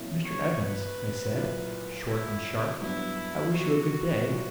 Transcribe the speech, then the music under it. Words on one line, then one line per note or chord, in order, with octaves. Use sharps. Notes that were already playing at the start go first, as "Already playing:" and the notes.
'Mr. Evans,' I said, short and sharp, 'I wish you a good day.
Already playing: B2 F#3 A#3 C#4 E4
C#5
B4
A#2 F#3 A#3 E4
E4
G2 F#3 B3 E4
F#4
A#2 F#3 A#3 E4